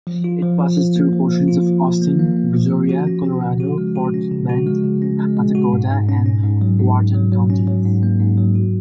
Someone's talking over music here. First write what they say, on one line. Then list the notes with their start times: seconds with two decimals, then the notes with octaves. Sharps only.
It passes through portions of Austin, Brazoria, Colorado, Fort Bend, Matagorda and Wharton counties.
0.07 F3
0.24 F4
0.42 F3
0.60 F3
0.78 F3
0.96 A#3
1.13 F3
1.30 F3
1.48 F4
1.67 F3
1.84 F3
2.02 A#3
2.19 A#3
2.36 A#3
2.54 F3
2.72 F3
2.89 F#4
3.07 C#4
3.25 C#4
3.43 C#3
3.60 F#4
3.78 G#3
3.95 F#4
4.14 C#4
4.31 C#3
4.50 F#4
4.67 G#3
4.84 C#3
5.02 C#4
5.19 G#3
5.37 G#3
5.55 F#4
5.73 G#2
5.90 G#2
6.09 C#4
6.26 C#4
6.43 G#2
6.61 F#3
6.79 G#2
6.96 G#2
7.15 F#3
7.32 F#3
7.50 C#4
7.67 F#3
7.85 G#2
8.03 A#3
8.20 G#2
8.38 F#3
8.55 F#4